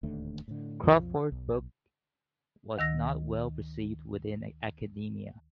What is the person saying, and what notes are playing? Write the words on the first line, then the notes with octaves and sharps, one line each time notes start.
Crawford's book was not well received within academia.
D1 D#2 D3 A3
A2 D3
B1 F2 F3
B1
D2 D#3 E6 A#6